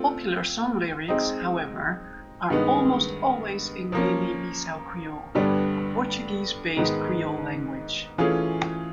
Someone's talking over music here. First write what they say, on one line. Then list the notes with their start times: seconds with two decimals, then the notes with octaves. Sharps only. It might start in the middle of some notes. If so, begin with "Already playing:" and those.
Popular song lyrics, however, are almost always in Guinea-Bissau Creole, a Portuguese-based creole language.
Already playing: A3 C4 F4
1.08 G#3 C4 D#4
2.50 G2 D#3 G#3 B3
3.92 F3 A#3 C#4
5.35 G2 D3 G3 B3 D4
6.77 G#2 D#3 G#3 B3
8.18 E3 A3 C#4 F4 G#4